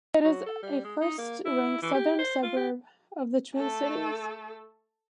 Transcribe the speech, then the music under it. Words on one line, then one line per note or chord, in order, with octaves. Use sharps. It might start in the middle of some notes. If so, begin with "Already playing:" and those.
It is a first ring southern suburb of the Twin Cities.
F#3
A4
G3
G#3
D#4
A#3
E4
E3
G4
C5
F4
G4
A3 A4